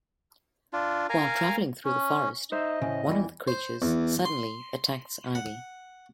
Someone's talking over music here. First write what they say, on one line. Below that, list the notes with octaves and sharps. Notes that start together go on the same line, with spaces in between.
While traveling through the forest, one of the creatures suddenly attacks Ivy.
D4 F4
A#4 F5 G#5 A#5
C#4
D#4 C5 D#5 E5
A2 C#3
E2 E3 G3
C5
E2
C6
F#5